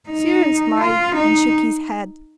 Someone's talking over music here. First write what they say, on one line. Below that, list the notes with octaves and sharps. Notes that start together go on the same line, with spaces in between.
Cyril smiled, and shook his head.
D#4
F4
D#4